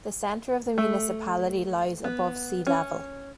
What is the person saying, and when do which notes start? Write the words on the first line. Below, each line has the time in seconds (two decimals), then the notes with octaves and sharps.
The center of the municipality lies above sea level.
0.78 A3
2.04 B3
2.67 C#4